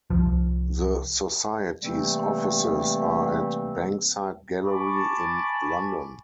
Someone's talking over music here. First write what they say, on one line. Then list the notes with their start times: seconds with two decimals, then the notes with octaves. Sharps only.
The Society's offices are at Bankside Gallery in London.
0.10 C2 F3
1.82 C3 E3 G3 A3 A#3 C4
4.65 G#5 A5 B5 C#6 D6